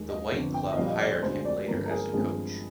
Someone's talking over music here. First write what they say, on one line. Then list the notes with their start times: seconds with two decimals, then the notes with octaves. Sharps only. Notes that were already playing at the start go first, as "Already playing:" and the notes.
The white club hired him later as a coach.
Already playing: D#2 D#3 G#3
0.09 D#5
0.31 G1 F2 D3
0.54 G5
0.72 D#5
0.77 A#1 A#2 G3 F5
0.88 D#5
0.99 D5
1.11 C5
1.22 D2 D3 G#3 C5
1.45 D5
1.68 G1 G2 F3 G#3 A#4
1.86 A#4
1.91 G#4
2.13 G#1 G2 F3 G#3 G#4